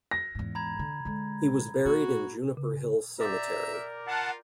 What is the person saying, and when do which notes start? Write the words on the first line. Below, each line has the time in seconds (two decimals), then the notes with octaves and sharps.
He was buried in Juniper Hill Cemetery.
0.11 A#6
0.35 E2 G#2
0.55 A#5 B5 G#6
0.79 D3
1.05 D3 G#3
1.85 A#3 F#4
2.57 C#3
3.20 D5 E5 G5 A#5
3.74 A#4
4.07 F4 F#5 A5